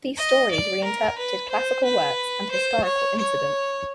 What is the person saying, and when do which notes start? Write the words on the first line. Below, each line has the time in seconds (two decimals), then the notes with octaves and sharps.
These stories reinterpreted classical works and historical incidents.
0.18 D#5
0.51 D5
0.84 A#4
1.18 B4
1.51 C5
1.85 B4
2.51 C5
2.84 C#5
3.18 C#5